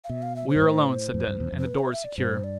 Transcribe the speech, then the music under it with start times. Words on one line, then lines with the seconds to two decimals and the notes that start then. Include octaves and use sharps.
"We are alone," said Denton, "and the door is secure."
0.04 F5
0.10 B2 E5
0.22 F5
0.36 E5
0.49 C5
0.56 G2
0.62 A2
1.14 F2
1.27 G2
1.40 E2
1.52 F2
1.58 C5
1.66 B4
1.79 C5
1.92 E5
2.04 D5
2.18 G2 C5
2.44 D5